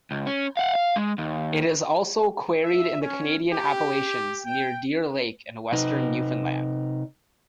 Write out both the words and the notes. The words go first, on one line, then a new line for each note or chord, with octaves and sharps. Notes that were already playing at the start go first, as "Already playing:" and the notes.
It is also quarried in the Canadian Appalachians near Deer Lake in Western Newfoundland.
C#2
C#4
F5 F#5
F5
G#3
D#2
E5
C#4
G4
G5
C3 D#4